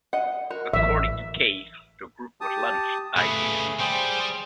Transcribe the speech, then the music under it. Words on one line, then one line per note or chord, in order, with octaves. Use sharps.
According to Cave, the group was Lunch's idea.
D#5 F#5
F#4 A#4
A1 E3 F#3 A#3 E5
G4 A5 D#6
C#3 A3 B3 G#4 B5
G3 G#4 C5 G5